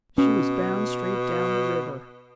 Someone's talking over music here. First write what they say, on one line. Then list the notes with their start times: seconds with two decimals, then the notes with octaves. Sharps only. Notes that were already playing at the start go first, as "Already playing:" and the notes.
"She was bound straight down the river."
0.18 B2 C#4